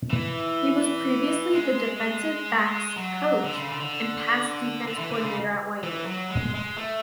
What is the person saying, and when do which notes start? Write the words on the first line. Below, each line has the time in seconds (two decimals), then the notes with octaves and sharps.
He was previously the defensive backs coach and pass defense coordinator at Wyoming.
0.10 E3
1.53 G#3
2.96 F#3
3.44 D3
3.57 C#3
3.68 D3
3.80 D3
4.88 D3
4.99 E3
5.11 D3
5.23 C#3
5.83 E3
6.06 F#3
6.30 G#3
6.54 G#3
6.78 A3